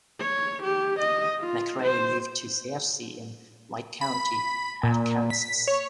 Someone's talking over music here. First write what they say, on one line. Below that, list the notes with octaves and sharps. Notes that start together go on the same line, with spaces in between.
McRae moved to Searcy in White County, Arkansas.
C#5
G4
D#5
F4
C5
B5
A#2
B6
C#5